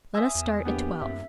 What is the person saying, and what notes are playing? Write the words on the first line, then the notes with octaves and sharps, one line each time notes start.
Let us start at twelve.
E5 G#5 D#6 E6
E2
A#1 B3 G4
D#1 F#2 E5